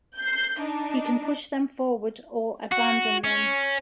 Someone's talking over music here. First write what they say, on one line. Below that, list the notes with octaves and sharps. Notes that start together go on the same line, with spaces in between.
He can push them forward, or abandon them.
G6 C7
D4 D#4
F#4
C#4